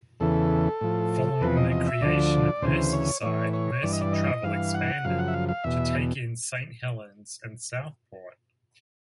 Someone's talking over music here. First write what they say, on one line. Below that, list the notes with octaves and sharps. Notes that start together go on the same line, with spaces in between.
Following the creation of Merseyside, Merseytravel expanded to take in Saint Helens and Southport.
E2 C#3 E3 A4
A2 F3
E2 C3 F3 B4
D#5
D#5
E5
D2 D3 F3 D5
D2 C#3 E3 C5
C#5
A2 E3 C#5
C#5
G2 E3 D5
D#5
D5
D#5
G2 E3 F5
F#5
F#2 C#3 F3 F5
F#5
E5
F5
F5
E2 B2 E5